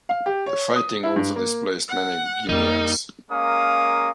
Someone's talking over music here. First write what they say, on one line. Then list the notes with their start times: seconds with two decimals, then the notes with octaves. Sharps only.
The fighting also displaced many Guineans.
0.09 F5
0.26 G4
0.46 C#5
0.76 D#6
1.03 E4
1.16 G2
1.36 A#3
1.89 F#5
2.49 F2 D3 G3 A#3 D#4
3.31 G#3 A#3 C#4 A#4 F5 D#6